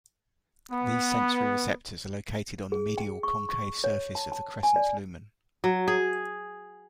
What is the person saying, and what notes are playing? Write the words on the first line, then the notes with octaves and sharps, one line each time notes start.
These sensory receptors are located on the medial concave surface of the crescent lumen.
B3
G#4
G5
C#6
C#6
C#5
A5
A5
G#5
D5
F#3
G#4